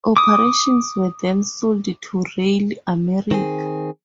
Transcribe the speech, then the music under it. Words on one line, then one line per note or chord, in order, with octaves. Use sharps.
Operations were then sold to RailAmerica.
D6 D#6
D#3 C4 G#4